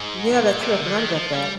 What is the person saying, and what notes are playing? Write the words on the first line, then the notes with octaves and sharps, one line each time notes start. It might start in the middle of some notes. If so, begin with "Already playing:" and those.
Yeah, that too. I forgot about that.
Already playing: G#2
C3
A#2
C3
D3
D#3
F3
G3